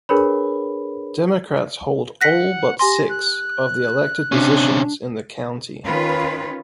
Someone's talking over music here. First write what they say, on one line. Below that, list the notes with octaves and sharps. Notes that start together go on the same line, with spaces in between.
Democrats hold all but six of the elected positions in the county.
D4 G#4 A#4 B4 C#5 B5
F#5 F#6 A#6 B6
G4 G#5 C6 A#6
F#6
C3 C#4 D4
D#3 C#4 F4 B4